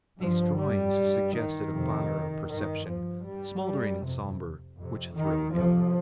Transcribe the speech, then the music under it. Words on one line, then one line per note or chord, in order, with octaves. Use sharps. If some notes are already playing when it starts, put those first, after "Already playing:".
These drawings suggested a fire of perception, smoldering and somber, which thrilled him.
G2 F3
G3
G2
D#3
F2 C3
G2 D#3
F3
G2 G3
G3
F2 C3
F2 C3
D#3
F2 C3 F3